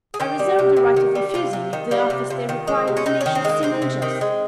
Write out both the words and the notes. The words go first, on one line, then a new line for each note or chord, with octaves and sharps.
I reserved the right of refusing if the office they required of me should seem unjust.
G#4
D#3 G4
G3
C3
C3
D#3
G3
C3 F4
C3
D#3
G3 F4
C3
C3
D#3
G#3
C3
C#4
C3 D#4
C#4
D#3
C4
G#3 A#3
C3 C4
C3
D#3
G#3